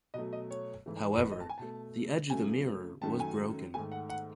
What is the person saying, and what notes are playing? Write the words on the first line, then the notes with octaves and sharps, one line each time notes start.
However, the edge of the mirror was broken.
B2 F#3 A3 D#5
D#5
C#5
G#2 E3 A3
B4
D#5
A5
G#5
B2 A3 A5
F#2 C#3 F#3 A3 G#5
F#2 D#3 F#3 A3 A5
G#5
G#2 D#3 A3 G#5
F#5
F#5